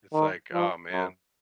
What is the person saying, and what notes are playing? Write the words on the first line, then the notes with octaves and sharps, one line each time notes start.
It's, like, oh, man,
D#3
F3
F#2